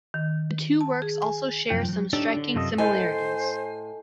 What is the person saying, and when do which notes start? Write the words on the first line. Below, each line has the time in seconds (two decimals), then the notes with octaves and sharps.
The two works also share some striking similarities.
0.14 D#3
0.81 A5
1.02 G#4
1.22 G#5
1.70 C2 F#2 F3 G5
1.89 F3 F#3
2.13 D4 D#4 G4 A4 C#5 D5
2.37 D3
2.54 F#2 C3 F4 A4 D5 D#5
2.78 A2 A4 C5 D#5 G#5